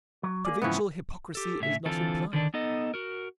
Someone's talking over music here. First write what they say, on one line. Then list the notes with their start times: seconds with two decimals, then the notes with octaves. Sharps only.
Provincial hypocrisy is not implied.
0.23 F#3
0.45 A#3 G#4 D5
0.62 F2 G#2 C#3 E3 F3 B3
1.35 G4 A4
1.60 A2 C#3 E5
1.85 D3 E3 C4 F4 A4
2.33 D3 D#3 D4
2.54 B3 D#4 A4 D#5
2.94 F#4 A#4